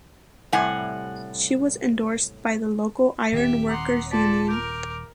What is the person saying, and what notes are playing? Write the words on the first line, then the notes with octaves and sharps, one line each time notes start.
She was endorsed by the local Iron Workers Union.
A2 C3 G3 F#5 G#5
D#1 D#3 C4 G4 E5
F#5 A#5 C6 D6 D#6
F4 A4 D5 A5 B6
A#4 D6 G6